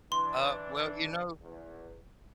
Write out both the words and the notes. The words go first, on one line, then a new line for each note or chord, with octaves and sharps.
Uh, well, you know
E3 D4 C6
E2